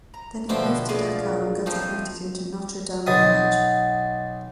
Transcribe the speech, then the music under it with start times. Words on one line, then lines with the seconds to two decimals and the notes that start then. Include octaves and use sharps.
Then he moved to Dhaka and got admitted into Notre Dame College.
0.14 A#5
0.49 A#1 B2 D3 F3 E4 C5 G5
0.89 G#3 F4 D5
1.66 F3 A3 C4 D#4
3.06 B1 F#3 D#5 F#5 D#6 A6